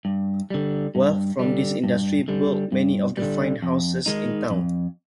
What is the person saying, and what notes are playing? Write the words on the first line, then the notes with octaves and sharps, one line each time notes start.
Wealth from this industry built many of the fine houses in town.
G2
D3 G3
G2
D3 G3
G2
D3 G3
G2
D3 G3
F2
D#3 G#3 D#4
F2